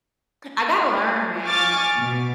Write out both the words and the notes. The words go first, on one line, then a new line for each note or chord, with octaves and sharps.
I gotta learn, man.
G#5 C#6 D6 F6 A6
B2